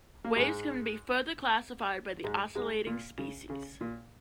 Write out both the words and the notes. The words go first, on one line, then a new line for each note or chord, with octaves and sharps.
Waves can be further classified by the oscillating species.
A#3
G#2 G#3
G#2 G#3
G#2 G#3
A#2
C#3
C#3
A#2